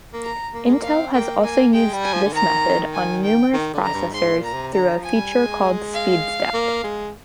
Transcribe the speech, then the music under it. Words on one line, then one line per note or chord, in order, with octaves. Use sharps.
Intel has also used this method on numerous processors through a feature called SpeedStep.
A#3
A#5
A#3
G#3
A#3
F5
C4
A#3 G5
A#3 G#5
G#3 G5
G3
G#5
F3
D3
D#3 A#5
G#5
G5
D#3
D3
A#5
G2
G#2 C6
A#2
A#5
C3
D3 A#5
F3
G#5
G3
G#3
F5
A#3
G#3